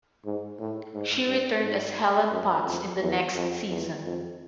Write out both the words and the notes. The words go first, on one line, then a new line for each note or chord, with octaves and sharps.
She returned as Helen Potts in the next season.
G#2
A2
G#2
G2
G#2
F#2
F2
E2
F2
E2
F2